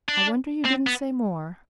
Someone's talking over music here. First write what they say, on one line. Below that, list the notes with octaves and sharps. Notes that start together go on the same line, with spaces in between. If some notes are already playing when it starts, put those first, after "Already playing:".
"I wonder you didn't say more."
D4
C4
B3